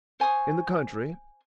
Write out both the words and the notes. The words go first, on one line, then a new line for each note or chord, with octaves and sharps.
"In the country?"
C5 G#5 C#6 D#6